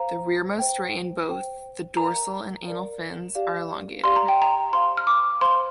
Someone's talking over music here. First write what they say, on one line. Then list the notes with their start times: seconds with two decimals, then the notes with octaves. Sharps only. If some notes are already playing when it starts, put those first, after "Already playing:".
The rearmost ray in both the dorsal and anal fins are elongated.
Already playing: C5 F5 A#5
0.59 C5 G5
1.28 C5 G5
1.97 A#4 D5 F5 A#5
2.66 A#4 D5 F5
3.35 G4 D5 F5
4.04 G4 D5 F5 C6
4.16 A#5
4.28 G5
4.42 A#5
4.73 C5 F5 C6
4.97 F6
5.07 D6
5.41 C5 F5 C6